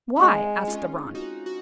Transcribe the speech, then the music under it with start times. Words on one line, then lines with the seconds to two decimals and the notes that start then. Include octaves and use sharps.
'Why?' asked the ranee.
0.16 C#4
0.20 G#3 C4 D#4
0.67 C#4 F4
1.15 D#4 F#4
1.46 F#4